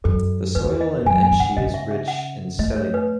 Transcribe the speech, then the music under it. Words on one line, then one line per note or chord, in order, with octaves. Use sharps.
The soil in Enshi is rich in selenium.
F#2 A4
E2 B4
D#5
F#2 G#5
G#5
C#3
F#5
C#3 D#5
E5
E5
F#5
A3 D#5
C#5
B4